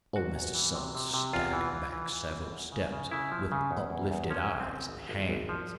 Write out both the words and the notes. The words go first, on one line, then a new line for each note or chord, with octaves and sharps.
Old Mr. Suggs staggered back several steps, with uplifted eyes and hands!
C3 F#4
E2
E3
C3
C3
C3
E2 F4
E3
E3
E3
E3
E2
E2
C#3
C#3
C#3 E4
F3
C#3
E2
E2
E2
F3 C#4
C#3
C4
C#3
G#1
G#1
G#1
F3